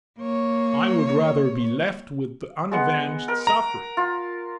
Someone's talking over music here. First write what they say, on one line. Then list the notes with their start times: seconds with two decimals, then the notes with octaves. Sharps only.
I would rather be left with the unavenged suffering.
0.18 A#3 C#5
2.72 G#3 B3 F#5
3.28 A#4
3.47 A#5
3.97 F4